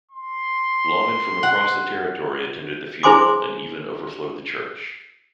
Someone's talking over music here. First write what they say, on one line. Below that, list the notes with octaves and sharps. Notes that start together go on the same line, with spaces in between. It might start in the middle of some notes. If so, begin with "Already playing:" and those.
Lawman from across the territory attended the funeral and even overflowed the church.
C6
F#5
E4 G#4 C5 G#5 C6 D6